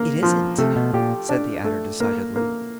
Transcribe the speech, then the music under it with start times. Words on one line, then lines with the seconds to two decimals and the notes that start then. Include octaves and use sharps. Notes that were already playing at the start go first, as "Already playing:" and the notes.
"It isn't," said the Adder decidedly.
Already playing: C#3 A#3
0.23 F3
0.58 C3 A3
0.76 B2
0.93 A#2 G4
1.29 D4
1.64 A3
2.00 A#3
2.36 A#3